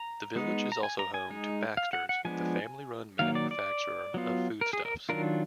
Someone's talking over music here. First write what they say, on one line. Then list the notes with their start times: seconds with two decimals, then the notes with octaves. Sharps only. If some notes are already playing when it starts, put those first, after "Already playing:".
The village is also home to Baxters, the family-run manufacturer of foodstuffs.
Already playing: A#5
0.35 G#3 B3 D#4
0.72 A#5
0.83 G#5
0.99 A#5
1.14 G#5
1.30 G#3 D#4
1.77 F5
1.93 F#5
2.09 F#5
2.25 F3 G#3 B3 D4 G#5
3.19 D#3 F#3 A#3 F5
3.35 D5
3.51 D5
4.14 F#3 B3 F4
4.61 A#4
4.73 G#4
4.85 A#4
5.09 D#3 F#3 D4 F4 A#4